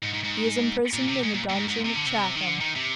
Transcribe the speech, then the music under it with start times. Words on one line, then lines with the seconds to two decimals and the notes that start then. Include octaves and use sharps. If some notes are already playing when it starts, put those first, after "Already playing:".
He is imprisoned in the dungeon of Chatham.
0.03 G#2
0.13 G#2
0.23 G#2
0.94 A#2
1.08 C3
1.24 G#2
1.34 A#2
1.50 A#2
1.55 G#2
1.69 G#2
1.85 C3
1.96 D3
2.07 C3
2.36 D#3
2.46 D3
2.60 D#3
2.75 C3